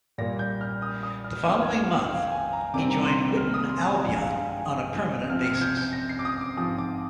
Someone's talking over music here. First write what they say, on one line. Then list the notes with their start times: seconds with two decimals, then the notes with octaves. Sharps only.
The following month he joined Witton Albion on a permanent basis.
0.18 A#2 G3 A#3 A#6
0.39 G6
0.61 F6
0.82 D#6
1.03 D#6
1.24 F6
1.46 F2 D#3 A#3 F6
1.62 G#6
1.78 F6
1.94 G5
2.10 F5
2.32 G#5
2.53 A#5
2.74 C3 D#3 G3 C4 D6
2.90 A#5
3.05 C6
3.37 F6
3.54 D#6
3.70 C6
3.85 G#5
3.96 A#5
4.01 G2 F3 G#3 G#5
4.18 F5
4.33 G5
4.50 G#5
4.66 D#6
5.30 C3 F3 C4 F6
5.45 F6
5.55 G#6
5.61 G6
5.77 G6
5.93 A#6
6.09 C7
6.19 D6
6.25 D#6
6.41 D6
6.57 G#2 F3 C4 D#6
6.78 D6